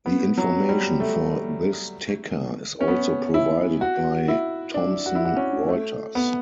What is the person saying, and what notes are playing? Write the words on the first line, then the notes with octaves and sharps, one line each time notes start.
The information for this ticker is also provided by Thomson Reuters.
B3
F#3
G3
A3
C#4
B3
E4
F#4
E4
D4
F#4
E4
F#4
C#4
A3
B3